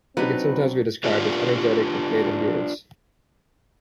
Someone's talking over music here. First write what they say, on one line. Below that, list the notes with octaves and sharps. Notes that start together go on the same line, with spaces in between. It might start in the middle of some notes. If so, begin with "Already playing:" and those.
They can sometimes be described as energetic with great endurance.
F#3 C4 D4 D#4 B4 B5
D4 F4 G4 B4